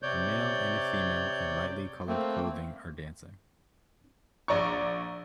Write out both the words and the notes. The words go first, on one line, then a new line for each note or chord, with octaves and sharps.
A male and a female in lightly colored clothing are dancing.
C3 C#5 D5 G6
A3 A#3 C4
A#1 D5 A#5 C#6